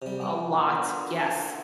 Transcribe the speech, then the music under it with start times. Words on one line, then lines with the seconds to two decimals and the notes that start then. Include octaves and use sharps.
a lot, yes,
0.02 C3 G3
0.21 A#3
0.52 D3 B3 E4
0.76 A#2